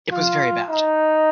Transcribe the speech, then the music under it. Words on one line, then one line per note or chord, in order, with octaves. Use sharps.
It was very bad.
F4
D#4